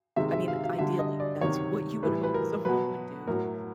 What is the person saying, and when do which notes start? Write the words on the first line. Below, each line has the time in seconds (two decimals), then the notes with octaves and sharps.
I mean, ideally, that's what you would hope someone would do,
0.16 C3 D#3 G#3 E5
0.32 E5
0.48 F5
0.63 F5
0.79 D3 G3 E5
0.99 D#5
1.20 D5
1.41 C3 D#3 F#3 C#5
2.03 A2 E3 G3 B4
2.23 B4
2.34 A#4
2.65 B2 F#3 B4
3.27 A2 F#3 A#4